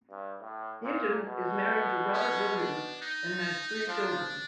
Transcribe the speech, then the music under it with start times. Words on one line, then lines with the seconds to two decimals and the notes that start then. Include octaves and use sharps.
Hinton is married to Robert Williams and has three children.
0.11 G2
0.41 A2
0.84 A#2
1.28 B2
2.14 C#4
2.57 D4
3.01 D#4
3.88 F3 D4